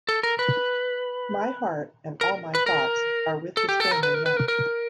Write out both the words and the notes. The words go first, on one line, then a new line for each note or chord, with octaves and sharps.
My heart and all my thoughts are with his family now.
A4
A#4
B4
A#4
B4
A#4
A4
G4
A4
A#4
B4
A#4
B4
A#4
A#4